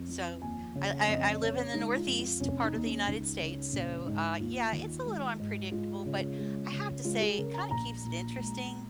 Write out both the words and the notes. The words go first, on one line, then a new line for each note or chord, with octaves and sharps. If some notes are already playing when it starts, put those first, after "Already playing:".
So I I I live in the northeast part of the United States, so, uh, yeah, it's a little unpredictable, but I have to say it kinda keeps it interesting.
Already playing: F2
F3
D#2 G#5
C#3
F2 D#5
C#3 C#5
G#3 D#4
F4
F2
F4
F1 C#4
D#4
D#2
C#4
C#2 D#4
C#3
A#1 C#4
G#2 D#4
D#2 F4
D#3
G#3
G#2
G#3 F4
C#3
G#3
C#3
G#3 F4
G#4
C#3 A#4
A#5
A#1 A#5
A#2
G#3